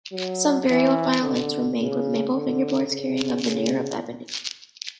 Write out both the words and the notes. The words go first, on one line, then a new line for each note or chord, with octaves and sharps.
Some very old violins were made with maple fingerboards, carrying a veneer of ebony.
F#3
E3
D3
C#3
D3
C#3
C#3